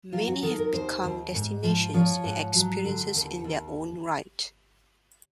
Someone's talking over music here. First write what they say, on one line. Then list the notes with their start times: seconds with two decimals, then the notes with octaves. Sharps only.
Many have become destinations and experiences in their own right.
0.13 F#3 F4
0.28 F#4
0.43 D#3 A4
0.58 A#4
0.73 D#2 C5
1.03 D#2
1.34 G#2
1.63 F3
1.94 F3 C#5
2.24 G#2
2.55 F#3
2.85 D3
3.14 D#2
3.44 D#2